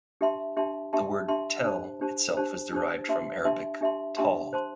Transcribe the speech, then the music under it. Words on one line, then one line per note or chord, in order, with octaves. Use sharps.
The word "tell" itself is derived from Arabic "tall".
D4 G4 E5 A5 C6
D4 G4 E5 A5 C6
D4 G4 E5 A5 C6
D4 G4 E5 A5 C6
D4 G4 C5 A5
D4 G4 C5 A5
D4 G4 C5 A5
D4 G4 C5 A5
D4 G4 E5 A5 C6
D4 G4 E5 A5 C6
D4 G4 E5 A5 C6
D4 G4 E5 A5 C6
C5 A5 C6